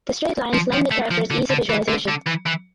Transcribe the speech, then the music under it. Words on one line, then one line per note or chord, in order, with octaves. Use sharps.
The straight lines lend the characters ease of visualization.
F3
F3
A3
F3
D3
D3
E3
D3
D3
E3
E3